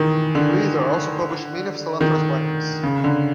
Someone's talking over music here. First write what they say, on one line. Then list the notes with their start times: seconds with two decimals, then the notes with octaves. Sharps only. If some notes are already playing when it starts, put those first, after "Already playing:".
Blazer also published many of Salanter's writings.
Already playing: D#3 E3
0.35 D3
2.01 D#3
2.83 C#3
3.04 D3